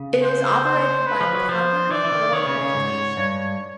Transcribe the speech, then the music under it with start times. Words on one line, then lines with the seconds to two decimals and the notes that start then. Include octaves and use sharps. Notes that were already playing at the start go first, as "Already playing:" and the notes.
It is operated by the Calgary Board of Education.
Already playing: C#3
0.22 C5
0.64 C5
1.06 B4
1.21 F3
1.34 F#3
1.49 F3 C5
1.90 E3 D5
2.04 E3
2.12 D#3
2.32 D#3 C#5
2.47 C#3
2.61 C#3
2.75 G#2
3.17 G2